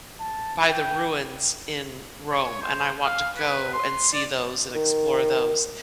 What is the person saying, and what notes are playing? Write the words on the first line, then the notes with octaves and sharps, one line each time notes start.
by the ruins in Rome, and I want to go and see those and explore those.
A5
G5
C#5
C5
F5
B4
C6
D5
D#3